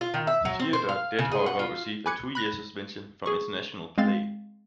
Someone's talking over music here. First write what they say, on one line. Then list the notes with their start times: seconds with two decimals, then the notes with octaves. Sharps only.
Theodore did, however, receive a two-year suspension from international play.
0.01 F4
0.14 D#3
0.27 E5
0.45 F#3
0.60 C4
0.73 C5
0.89 F5
1.19 C#3
1.31 G#4
1.46 F#5
1.59 F4
2.06 G#5 B5 D6 F#6 G#6 C#7
2.35 B5 F#6 A#6
3.26 G#4 C#6
3.98 G#3 C4 F5 C6 A6